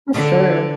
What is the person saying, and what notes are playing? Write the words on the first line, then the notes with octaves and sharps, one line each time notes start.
Oh, sure.
D3